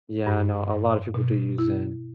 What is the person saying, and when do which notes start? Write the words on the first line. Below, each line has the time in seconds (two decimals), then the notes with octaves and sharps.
Yeah. I know. A lotta people do use Zen.
0.27 G2
0.70 G2
1.14 B2
1.58 E4